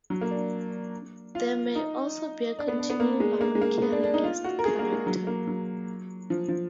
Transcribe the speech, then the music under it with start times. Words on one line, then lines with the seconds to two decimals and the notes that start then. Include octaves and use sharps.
There may also be a continuing or recurring guest character.
0.10 F#3
0.21 A#3
0.31 D4
1.35 F4
1.75 D#4
2.59 D4
2.68 B3
2.79 D4
2.90 B3
3.00 A#3
3.20 G#3
3.41 A#3
3.55 G#3
3.61 A#3
3.82 B3
3.92 D4
4.04 D4
4.14 D#4
4.24 F4
4.44 F#4
4.59 A#4
4.65 G#4
4.79 A#3
4.93 G#3
5.07 F#3
5.27 A#3
5.47 F#3
6.30 F3
6.48 F3